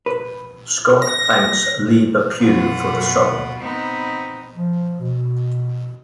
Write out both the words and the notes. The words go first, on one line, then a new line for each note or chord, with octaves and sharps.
Scott thanks Liebe Pugh for the song.
B4
A#6
F#2 B2 F4 F#5
B3 C4 D#4
F3
B2